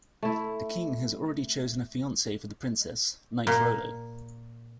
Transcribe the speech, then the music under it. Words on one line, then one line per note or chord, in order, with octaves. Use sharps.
The King has already chosen a fiance for the Princess, Knight Rolo.
A3 E4
A#2